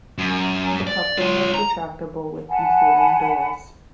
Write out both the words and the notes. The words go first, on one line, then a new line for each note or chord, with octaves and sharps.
The coupler was retractable with concealing doors.
F#2
D5
F4 C#5
A#5
F#5 G#5 A5 B5